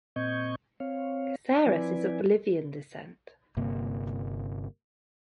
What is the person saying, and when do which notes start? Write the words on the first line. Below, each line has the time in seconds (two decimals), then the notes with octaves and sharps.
Caceres is of Bolivian descent.
0.16 A#2 C4 D#5 C#6 G6 G#6
0.80 C4 C#5 F5
1.66 F3 C4 E4 B4 D5 G#5
3.57 G1 G2 C3 A#3